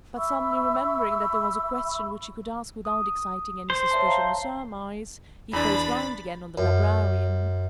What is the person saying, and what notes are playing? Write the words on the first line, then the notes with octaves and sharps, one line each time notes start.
But suddenly remembering that there was a question which he could ask without exciting any suspicion or surmise, he faced round again on the librarian.
E5 B5 C#6 E6
D#6
C5
C#5 E5 A5
F5 A#5
E2 D4 B5 A6
F#2